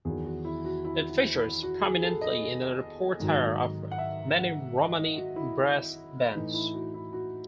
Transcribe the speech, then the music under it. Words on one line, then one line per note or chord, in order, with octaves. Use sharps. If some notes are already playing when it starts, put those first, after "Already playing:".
It features prominently in the repertoire of many Romani brass bands.
E2 D#3 F#3 G#4
F#4
E4
F#4
E4
E4
E4
F#4
G#4
A4
D#5
G#2 D#3 F#3
F#5
E5
F#5
D#5
D#5
F#4
E4
A2 E3 D#4
E4
F#4
E4
F#4